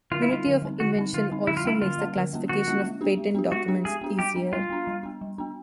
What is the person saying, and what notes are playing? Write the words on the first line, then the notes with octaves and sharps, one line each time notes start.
Unity of invention also makes the classification of patent documents easier.
D3 F4
E4
G3 C4 D#4 F4
D3
G3 C4 D#4
D3 F#4
G3 C4 D#4
D3 F4
G3 C4 D#4
D3 E4
F4
G3 A#3 C#4 E4
D3 F4
G3 A#3 C#4
D3
G3 A#3 C#4
D3 F#4
G3 A#3 C#4
G#3
B3 D4 G4
G#3
B3 D4 G4
G#3 F#4
B3 D4 G4
G#3 G#4
B3 D4 G4
G3 G4
B3 D4
G3 F4
B3 D4
G3
B3 D4
G3
B3 D4